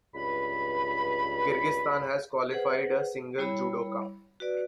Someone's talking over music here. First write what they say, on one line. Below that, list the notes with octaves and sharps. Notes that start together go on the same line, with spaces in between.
Kyrgyzstan has qualified a single judoka.
C#2 G2 B5
G#4 B4 C5 F#5
G3 E4 C#5 B5
F#4 B4 D5